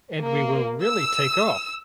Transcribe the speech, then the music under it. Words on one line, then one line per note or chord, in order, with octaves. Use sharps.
And we will really take off.
A#3
E6